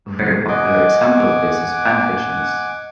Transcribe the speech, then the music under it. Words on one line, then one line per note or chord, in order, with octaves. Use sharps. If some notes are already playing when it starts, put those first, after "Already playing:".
A very popular example of this is fan fictions.
D#5 F#5 G#5 D6